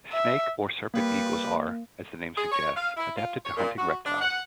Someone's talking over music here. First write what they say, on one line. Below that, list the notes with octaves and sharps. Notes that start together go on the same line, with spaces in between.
Snake or serpent eagles are, as the name suggests, adapted to hunting reptiles.
E5
G3 A#3 B4
G#4
C#5
F5
E4
F4
C#5
A#2
F#4
D4
F#5